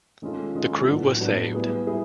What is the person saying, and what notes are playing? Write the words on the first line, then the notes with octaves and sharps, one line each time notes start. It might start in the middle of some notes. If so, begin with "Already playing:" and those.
The crew was saved.
D#3 G#3 C#4 F4 A4
D#3 G#3 C#4 F4 A4
A2 F#3 B3 D4
A2 F#3 B3 D4
G3 B3 E4 G#4 B4
G3 B3 E4 G#4 B4